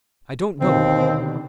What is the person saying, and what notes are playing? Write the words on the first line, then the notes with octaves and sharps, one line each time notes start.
I don't know.
D#2 B2 D3 D#3 C4